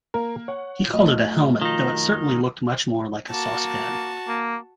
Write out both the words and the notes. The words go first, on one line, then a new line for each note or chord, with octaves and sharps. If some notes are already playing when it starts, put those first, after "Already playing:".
He called it a helmet, though it certainly looked much more like a saucepan.
A#3 A#4
C#5 F#5
B1 F2 A3 D#5
D#3 D#4 F4
A#3 F#4 A5
A#3